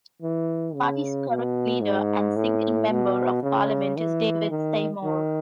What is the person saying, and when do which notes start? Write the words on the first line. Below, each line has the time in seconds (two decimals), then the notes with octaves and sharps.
The party's current leader and single member of parliament is David Seymour.
0.22 E3
0.75 C#3
1.28 B2
1.82 G#2
2.36 A2
2.90 B2
3.43 C#3
3.97 E3
4.50 D#3
5.04 D#3